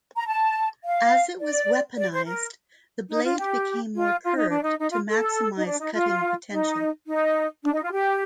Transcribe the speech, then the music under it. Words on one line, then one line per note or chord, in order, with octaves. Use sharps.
As it was weaponised, the blade became more curved to maximise cutting potential.
A#5
A5
F5
D5
D5
C5
A#4
D#4
F4
G4
F4
F4
D#4
D4
D#4
D#4
F4
A4
D#4
D4
D#4
F4
D#4
D#4
D4
D#4
F4
G4